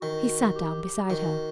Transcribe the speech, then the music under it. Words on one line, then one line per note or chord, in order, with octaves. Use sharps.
He sat down beside her.
D#3 F#4
F#4
G4
G4
D#3 F#4